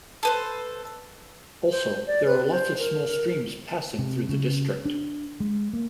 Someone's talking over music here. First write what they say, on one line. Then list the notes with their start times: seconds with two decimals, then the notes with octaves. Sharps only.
Also, there are lots of small streams passing through the district.
0.23 A4 B4 C5
1.71 C5
2.07 D5
2.26 B4
2.51 C5
2.79 A#4
3.99 C3
4.29 C#3
4.85 D4
5.40 G#3
5.73 A#3